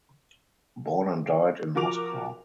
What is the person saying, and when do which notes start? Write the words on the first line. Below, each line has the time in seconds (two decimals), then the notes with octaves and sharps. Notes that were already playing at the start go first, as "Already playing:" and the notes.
Born and died in Moscow.
1.75 F3 F#4 A#4 D6 F7